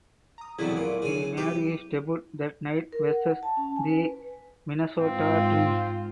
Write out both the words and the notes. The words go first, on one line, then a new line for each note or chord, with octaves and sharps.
He made his debut that night versus the Minnesota Twins.
A#5 D#6
E2 B2 D3 F#3 C4 E4
A#2
C#3 G#5
G4 B4
A#4
F#5
A5
C#4
G#5
B4
G#2 C4 F4